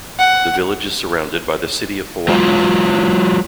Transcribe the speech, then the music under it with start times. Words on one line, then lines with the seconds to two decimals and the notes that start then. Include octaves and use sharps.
The village is surrounded by the City of Pewaukee.
0.19 F#5
2.28 F#3 G#3 F4